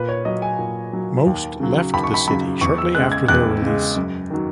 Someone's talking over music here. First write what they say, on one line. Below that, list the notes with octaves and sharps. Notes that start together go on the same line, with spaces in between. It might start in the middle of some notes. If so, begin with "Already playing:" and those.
Most left the city shortly after their release.
Already playing: A#2 B4
C#5
F#3 D#5
G#5
A#2
F#3
D#2
C#3 F#3
D#2 B5
C#6
B5
C#3 F#3 B5
E2 C#6
E6
C#3 G#3 F#6
G#6
E2 F#6
C#3 G#3
F#2
D#3 F#3